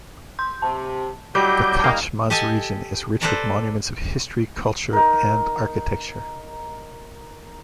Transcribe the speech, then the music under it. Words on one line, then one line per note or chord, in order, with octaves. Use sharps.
The Khachmaz region is rich with monuments of history, culture and architecture.
C6 G6
C3 A5
A2 D#3 F#3 G3 D6 G6 A#6 B6
A#3 D#4 F5 G5
G4 A4 D#5 G#5 A5
A4 B4 C5 D5 A5 A#5
D#4 A#4